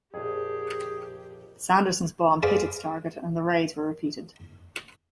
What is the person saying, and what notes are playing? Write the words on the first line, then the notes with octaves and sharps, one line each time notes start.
Sanderson's bomb hit its target and the raids were repeated.
A#1 F2 G4 G#4
G#4 B4 C5 D5 F5 G#5